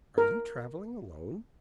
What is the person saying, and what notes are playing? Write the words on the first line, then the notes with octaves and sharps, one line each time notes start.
"Are you traveling alone?"
A#4